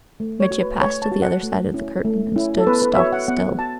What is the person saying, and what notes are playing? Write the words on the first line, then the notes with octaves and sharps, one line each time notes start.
Mitya passed to the other side of the curtain and stood stock still.
A3
C#5
F#4
B4
A3 C#5
A5
F#4
F#5
A3
C#4 E4
A3
C#4 E4
A4
B3 B4
B4
E5
F#4 C#5
F#5
B3 F#5
F#4 A5